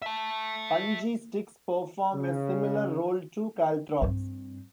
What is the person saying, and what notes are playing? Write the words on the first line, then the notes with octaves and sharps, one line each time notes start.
Punji sticks perform a similar role to caltrops.
E5 A5
C#3
G2 C4